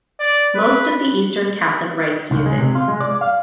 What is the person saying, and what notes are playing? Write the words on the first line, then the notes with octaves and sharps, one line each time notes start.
Most of the Eastern Catholic Rites use it.
D5
B4
C#2
G#3
C3
F4
G#3
D5
F5